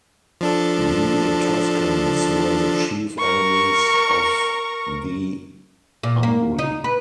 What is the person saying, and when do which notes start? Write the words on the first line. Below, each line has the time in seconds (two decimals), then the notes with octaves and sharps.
The Etruscans were the chief enemies of the Umbri.
0.41 F3 D4 A4
3.19 A#4 C#6
6.03 A#2
6.23 A#3
6.59 D#4
6.84 B4